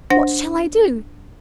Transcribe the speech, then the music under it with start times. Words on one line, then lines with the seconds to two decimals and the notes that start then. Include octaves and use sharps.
What shall I do?
0.10 D4 C5 F#5 A#6